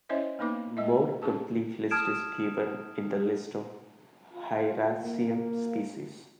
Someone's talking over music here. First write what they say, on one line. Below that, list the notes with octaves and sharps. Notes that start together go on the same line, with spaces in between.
A more complete list is given in the list of "Hieracium" species.
C#4 E4 C5 C#5 D#5 E5
A#3 B3 D#4 B4 D6
G#3 A3 D#5 E5
C#4 G4 G#4 A5
A5 D#6 F6 G#6 D7 E7
F4
A#3